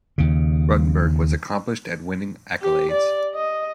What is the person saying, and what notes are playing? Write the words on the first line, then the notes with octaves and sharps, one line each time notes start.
Ruttenberg was accomplished at winning accolades.
D#2 C#3
G4
D5
D#5